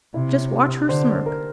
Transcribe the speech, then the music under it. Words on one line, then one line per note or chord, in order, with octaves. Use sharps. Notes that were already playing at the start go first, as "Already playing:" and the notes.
Just watch her smirk!
C3 E4
G4
D3 C5
A#4